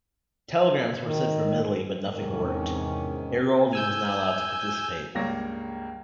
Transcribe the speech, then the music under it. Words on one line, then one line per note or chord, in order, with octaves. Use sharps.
Telegrams were sent from Italy but nothing worked: Airoldi was not allowed to participate.
D#3
E2 G#2 C3 D#3 C#4
G#5 E6 G6
C#2 G2 A#3 C#5 A#6